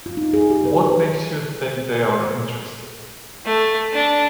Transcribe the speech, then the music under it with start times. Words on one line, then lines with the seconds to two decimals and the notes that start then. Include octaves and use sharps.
What makes you think they are interested?
0.06 F4
0.17 D#4
0.33 G#4
0.50 G4
0.65 B4
0.83 F4
3.45 A3
3.93 D4